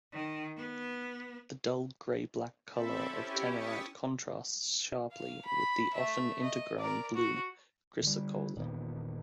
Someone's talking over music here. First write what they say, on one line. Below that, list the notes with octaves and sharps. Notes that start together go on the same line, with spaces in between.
The dull grey-black color of tenorite contrasts sharply with the often intergrown blue chrysocolla.
D#3
B3
C4 A4 E5 A5 B5
C#4 E4 G4
C#6 D#6 A6 B6 C#7
F5
B5
A3 E5
D#5
A#4 D5
F#4
D3 G3
E1 A#2 D#3 B3